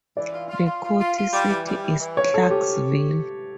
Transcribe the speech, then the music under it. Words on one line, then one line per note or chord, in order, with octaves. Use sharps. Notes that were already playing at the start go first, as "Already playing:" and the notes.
The county seat is Clarkesville.
E3 D5
F4
F4
F4
F4
F4
F4
G3
E3
G3
E3
E3
F3 C#5
F3 A4
C#4 G4